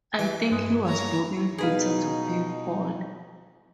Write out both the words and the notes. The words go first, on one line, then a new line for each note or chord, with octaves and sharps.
I think he was robbing Peter to pay Paul.
E3
G2 G#3 B4 D#6
C#5 A#5
B2 D#4 G#4 B4 F5